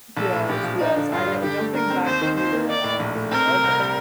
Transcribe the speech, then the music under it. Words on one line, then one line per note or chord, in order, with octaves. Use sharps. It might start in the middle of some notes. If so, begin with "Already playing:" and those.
Yes, yes, I know jumping back to your, um, brother.
A#1 A4
A2
A#1 G4
F3
D4 D#4
D3
G2 F4
G3
D3 G4
A3
D3 A#4
C4
D#2 C5
D#3
D#2 C5
A#3
D#4 D5
A2
A#1
A3
C4 A#4
C3
C2
G3